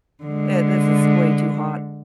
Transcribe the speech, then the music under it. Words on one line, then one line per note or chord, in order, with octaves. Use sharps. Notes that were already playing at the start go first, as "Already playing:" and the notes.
eh, this is way too hot."
D3 G#3